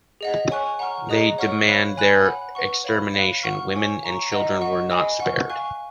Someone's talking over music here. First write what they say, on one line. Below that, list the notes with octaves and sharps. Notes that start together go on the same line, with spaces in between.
They demand their extermination, women and children were not spared.
G#4 D#5 F#5
C#5 G#5 C#6 F#6
F#5 A#5 C#6 F6
G#4 D#5 A#5 D#6 F#6
C#5 F#5 C#6 F6
C#5 F5 B5 F#6
C#5 G#5 B5 F#6
F#5 B5 F#6
B4 F#5 C#6
C#5 F5 B5
F5 B5 F#6
F#5 C#6 F6
C#5 G#5 C#6
F5 A#5 C#6
D#5 F#5 A#5 F6
D#5 F#5 C#6
D#5 G#5 B5 F#6
F#5 C#6 F6
F5 G#5 C#6 F#6